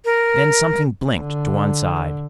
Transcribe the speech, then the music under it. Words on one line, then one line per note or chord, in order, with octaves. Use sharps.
Then something blinked to one side.
A#4
D3